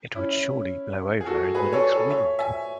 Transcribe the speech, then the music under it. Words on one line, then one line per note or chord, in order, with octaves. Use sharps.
It would surely blow over in the next wind!
C#4 E4
G#4
F#4 A4
G#4 B4
A4 C#5
A4 C#5
C#5 E5
E5 G#5